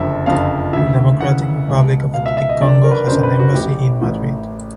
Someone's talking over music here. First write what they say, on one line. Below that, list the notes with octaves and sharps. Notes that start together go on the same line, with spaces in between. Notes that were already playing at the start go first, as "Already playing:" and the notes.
The Democratic Republic of the Congo has an embassy in Madrid.
Already playing: F#1 F2 D3 F3 E5
F#1 F2 D3 F3 F5
D2 C#3 E3 E5
D2 C#3 E3 F#5
C#2 B2
C#2 B2 F5
E5
E5
D#5
F#1 F#2 D3 D5
A#4
B4
F#1 F#2 D3 C5
B4
F#4
A1 A2 E3 G4
A1 A2 E3